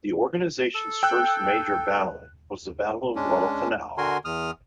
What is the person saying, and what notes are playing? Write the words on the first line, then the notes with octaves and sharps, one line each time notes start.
The organisation's first major battle was the Battle of Guadalcanal.
A4
G5 E6 F#6
G#3 C#4 D4
D3 F#4 A#4 G#5 C6
E2 D#6 F6